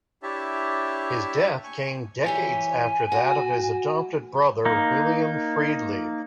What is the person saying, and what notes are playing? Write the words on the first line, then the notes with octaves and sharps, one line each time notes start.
His death came decades after that of his adopted brother, William Friedlieb.
D4 E4 G4 C#5 E5 A5
G#5 C#6
E3 G4 C#5 G#5
F#4
A#3 D#4